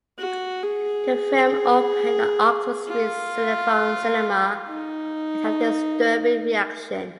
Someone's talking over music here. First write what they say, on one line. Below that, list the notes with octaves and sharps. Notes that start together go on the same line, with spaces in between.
The film opened at Oxford Street's Cinephone cinema and had a disturbing reaction.
F#4
G#4
F4
D#4